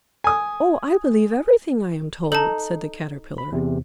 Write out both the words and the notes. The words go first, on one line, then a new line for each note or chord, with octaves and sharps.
"Oh, I believe everything I am told," said the Caterpillar.
G#5 D#6
D#4 A4 A5
B5
E2 C3